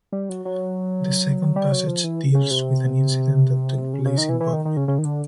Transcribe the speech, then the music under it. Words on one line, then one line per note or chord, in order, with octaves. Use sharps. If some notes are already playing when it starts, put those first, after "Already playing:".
The second passage deals with an incident that took place in Bodmin.
G3
F#3
F#3
G3
F#3
F3
E3
C#3
C3
C#3
C#3
D#3
E3
E3
D#3
D#3
C#3
C#3
D#3
D3